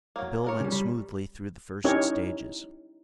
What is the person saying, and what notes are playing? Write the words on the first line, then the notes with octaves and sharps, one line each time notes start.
The bill went smoothly through the first stages.
F#3 A#3
D4 A#4 C#5
C#3 F3 G3
G3
C#4 D#4 E4 G4 A#4 C#5